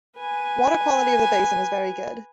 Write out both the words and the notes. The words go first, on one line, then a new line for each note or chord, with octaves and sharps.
Water quality of the basin is very good.
B4 G#5